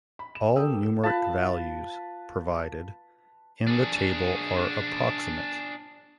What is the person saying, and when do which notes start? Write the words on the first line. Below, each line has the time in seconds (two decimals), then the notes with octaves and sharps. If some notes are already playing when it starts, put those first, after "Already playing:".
All numeric values provided in the table are approximate.
0.19 B5
0.35 E7
0.56 G4 A4 A#4 G5 D#6 E6
1.03 F4 B4 F5 A5
3.67 D4 G#4